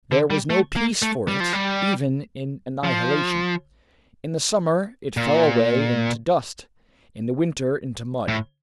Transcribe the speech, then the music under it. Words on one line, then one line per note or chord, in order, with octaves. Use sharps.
There was no peace for it even in annihilation: in the summer it fell away into dust, in the winter into mud.
D3
G3
A3
A#3
A3
G3
F3
G3
F3
A#2
A2